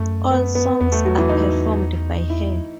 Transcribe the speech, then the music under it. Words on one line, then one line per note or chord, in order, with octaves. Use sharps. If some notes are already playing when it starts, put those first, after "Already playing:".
All songs are performed by her.
Already playing: F#2 A3
B3
B3
E2 B3
A3
F#3
E3
D#4
E4